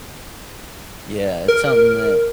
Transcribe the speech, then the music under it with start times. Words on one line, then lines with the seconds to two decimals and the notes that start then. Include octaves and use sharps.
Yeah. It's something that
1.48 A#4